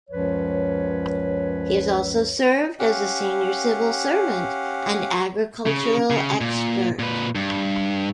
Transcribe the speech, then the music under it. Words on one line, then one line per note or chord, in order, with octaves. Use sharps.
He has also served as a senior civil servant and agricultural expert.
C#2 F#2 F3 B4 C#5
C#4 G4 F5 F#5
C#3
C#3
A#2
A#2 B4
G2